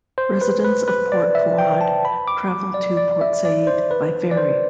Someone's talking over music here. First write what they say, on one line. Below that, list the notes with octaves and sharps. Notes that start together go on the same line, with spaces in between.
Residents of Port Fouad travel to Port Said by ferry.
C5
B4
B4
B4
D5
E5
G5
A5
B5
D6
D5
D5
E5
D5
C5
B4
D5
C5